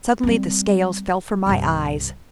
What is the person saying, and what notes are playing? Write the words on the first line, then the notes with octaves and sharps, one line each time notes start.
Suddenly the scales fell from my eyes.
G3 C4
C2 G2